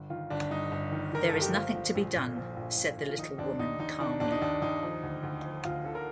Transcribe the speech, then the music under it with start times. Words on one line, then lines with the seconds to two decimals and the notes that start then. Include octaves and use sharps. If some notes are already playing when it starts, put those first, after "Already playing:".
"There is nothing to be done," said the little woman, calmly.
Already playing: G1
0.10 D#3 F4
0.30 G1 D4
0.51 G2 D#4
0.72 G1
0.92 D#3
1.13 D#3 A#4
1.28 G1 A4
1.41 G4
1.54 F3 F4
1.75 F3
1.95 A#1
2.15 A#2
2.36 F3
2.57 A#1
2.77 A#1
2.97 A#1
3.09 F4
3.18 D#3 D#4
3.38 D#2 D4
3.59 D#2 D#4
3.80 D#2 D#4
4.00 D#3 D4
4.20 D#2 D4
4.31 D#4
4.42 D#2 D4
4.62 D#2 D#4
4.83 F3
5.03 D2
5.23 D2
5.44 F3
5.65 D2 F4
5.85 D3 A4
5.95 A#4